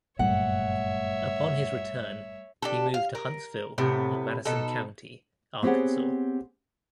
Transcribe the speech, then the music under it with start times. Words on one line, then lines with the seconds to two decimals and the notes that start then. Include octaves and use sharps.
Upon his return he moved to Huntsville in Madison County, Arkansas.
0.19 G1 F#2 A#2 G3 A3 C#5 E5 F#5
2.62 D4 G4 A4
2.94 F5
3.15 A#4
3.78 A2 C3 B3
4.45 B2 D#4 A4
5.63 B3 C4 G4 G#4 C#5 F#5